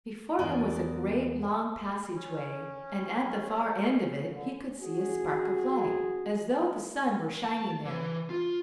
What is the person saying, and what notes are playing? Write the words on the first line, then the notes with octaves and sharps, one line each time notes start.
Before him was a great long passageway, and at the far end of it he could see a spark of light as though the sun were shining there.
E2 B3 A#4 D5 G#5
C#4
D3
C#4 F#4 G#4
A5
E3
F4